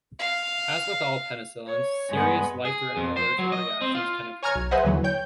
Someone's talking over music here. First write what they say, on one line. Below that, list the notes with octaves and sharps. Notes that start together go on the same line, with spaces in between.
As with all penicillins, serious life-threatening allergic reactions can occur.
F5
C#5
G2 G#3 B3
G#4
F2
C5
F#3
D#5
C4
F4
C#5 G#5 A#5 C#6 F6 G#6
B1
G#4 B4 C5 D#5 E5 F#5
D#2 D3 E3 F#3
C#5 G5 G6